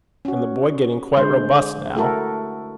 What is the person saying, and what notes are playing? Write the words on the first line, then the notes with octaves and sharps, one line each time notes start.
And the boy getting quite robust now!
C#4 F#4
D3 G#3 C5
A3 E4 F#4 A4 A#4